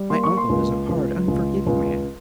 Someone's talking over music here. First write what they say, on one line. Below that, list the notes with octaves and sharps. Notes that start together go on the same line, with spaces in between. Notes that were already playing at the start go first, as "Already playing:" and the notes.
My uncle is a hard, unforgiving man.
Already playing: G3
A#3 C6
C#6
C6
C#2
C#2
C#2
C#2